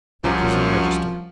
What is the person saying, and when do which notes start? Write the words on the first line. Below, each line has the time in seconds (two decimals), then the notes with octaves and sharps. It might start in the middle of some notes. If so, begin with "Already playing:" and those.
The Prison Register.
0.24 C2 F#2 F3